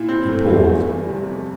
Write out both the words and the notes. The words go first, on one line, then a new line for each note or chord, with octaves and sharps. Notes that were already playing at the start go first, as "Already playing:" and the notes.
He paused.
Already playing: A#2 E4
C4
A3
E2
E2
G3
C3
F2